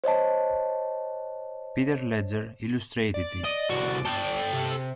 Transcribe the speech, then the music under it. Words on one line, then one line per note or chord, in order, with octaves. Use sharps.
Peter Ledger illustrated it.
C5 C#5 D#5 A5
D5
D#5
C2 F#4
A4 G5
C3